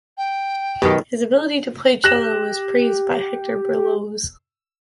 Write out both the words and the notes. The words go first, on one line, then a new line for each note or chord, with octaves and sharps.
His ability to play cello was praised by Hector Berlioz.
G5
F#2 B2 D#3 G4
G4 F#6 A#6 E7